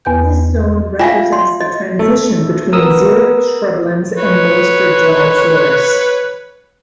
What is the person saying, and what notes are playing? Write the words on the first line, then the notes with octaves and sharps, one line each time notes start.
This zone represents the transition between xeric shrublands and moister dry forests.
E2 B3 B4 G5 G6
F4 E5 F5 G5 G#5
C6
D#5
A3
B3 A#4 D#6 E6
B4 C#5